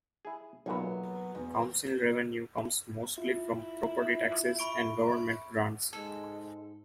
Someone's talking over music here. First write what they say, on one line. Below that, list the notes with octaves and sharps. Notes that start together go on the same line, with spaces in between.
Council revenue comes mostly from property taxes and government grants.
E4 G#4
B1 A#2 E3 F#3 B3
E2
E4 F4 E5
B5 C#6 D7
G#2 G#3 A4